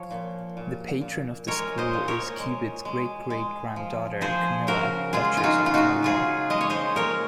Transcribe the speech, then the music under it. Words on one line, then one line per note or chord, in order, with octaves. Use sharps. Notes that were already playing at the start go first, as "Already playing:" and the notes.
The patron of the school is Cubitt's great-great granddaughter Camilla, Duchess of Cornwall.
Already playing: F3 C#5
A#2
A#2
A#2
G#3 A#4 C#5
C5 D#5
A#2
A#4 C#5
G#3
G#3
G#3
F3
F3 G#4 C5
C#3 F#4 A#4
G#3 F4 G#4
F4
D#4 F#4
C#3
F4
D#4 F#4
C#3 F4 G#4
G#3 D#5
C#5
C5 D#5
A#2 A#4 C#5